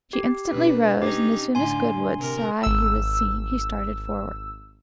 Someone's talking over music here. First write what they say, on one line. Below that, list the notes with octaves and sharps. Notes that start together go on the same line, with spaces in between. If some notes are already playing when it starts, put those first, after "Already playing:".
She instantly rose, and as soon as Goodwood saw he was seen he started forward.
G4
B2 D4 B4
C#4 D#4 G4
A2 D3 G#5 C6
C3 A#4
G#1 E6